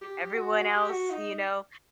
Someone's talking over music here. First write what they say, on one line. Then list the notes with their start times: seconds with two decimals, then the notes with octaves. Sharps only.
everyone else, you know,
0.01 G4
0.34 F#4
0.67 G4
0.90 F#4
1.11 D#4